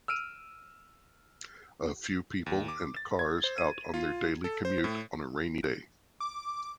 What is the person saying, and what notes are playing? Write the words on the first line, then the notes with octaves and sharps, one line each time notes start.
A few people and cars out on their daily commute on a rainy day.
E6 F6 D7 D#7
D#2
D6
A6
G#6
C5
D#7
F4
A4
C5
A2
D6